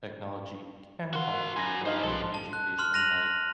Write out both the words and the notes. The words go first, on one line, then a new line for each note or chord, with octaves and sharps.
technology can help people in education, like,
F#4 A#4 F5 F#5 C6
F#3 G#5 A#5 B5 A#6
D#4 A#4 C5 D#5 F5
B1 F3 G3 A4 C6
A5
F#6
C6 F6
F#6 A#6 D#7 F7 F#7